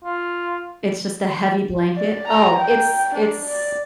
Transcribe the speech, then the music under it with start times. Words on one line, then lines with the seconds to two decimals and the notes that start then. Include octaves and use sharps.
It's just a heavy blanket. Oh, it's, it's,
0.04 F4
1.97 D5
2.28 A#5
2.59 G5
3.15 D4
3.46 D5